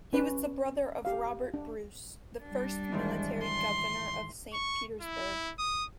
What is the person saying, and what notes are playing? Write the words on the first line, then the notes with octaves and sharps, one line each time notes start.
He was the brother of Robert Bruce, the first military governor of Saint Petersburg.
C#4 B4 D5
G4 F5
D4
G3 D4
G#2 D#3 E3
C6
C#6
E4
D#6